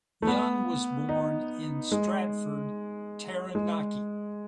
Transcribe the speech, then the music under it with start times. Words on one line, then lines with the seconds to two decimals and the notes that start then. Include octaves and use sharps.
Young was born in Stratford, Taranaki.
0.22 A3
0.27 B3
1.09 D#4
1.92 G#3
3.55 G#3